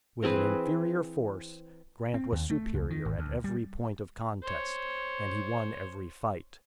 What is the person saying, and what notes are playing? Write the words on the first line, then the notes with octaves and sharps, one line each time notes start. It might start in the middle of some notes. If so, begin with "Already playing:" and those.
With an inferior force, Grant was superior at every point of contest, and he won every fight.
E3 C4 G#4 B4
C4
D#2
A3
C#2
D#3
G#1
D2
G3
C5 C#5